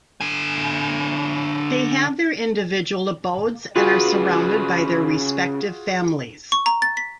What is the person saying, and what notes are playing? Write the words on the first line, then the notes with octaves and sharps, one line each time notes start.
They have their individual abodes and are surrounded by their respective families.
D3 G#5
C#3 F4 F#4 G#4 B4
C#6
A#5
A6
B6